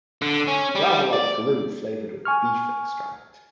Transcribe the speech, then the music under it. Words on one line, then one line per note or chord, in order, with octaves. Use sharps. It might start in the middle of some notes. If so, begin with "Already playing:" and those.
Rather like glue flavoured with beef extract.
D3
C#4
G3
D5
G#5 C#6 F6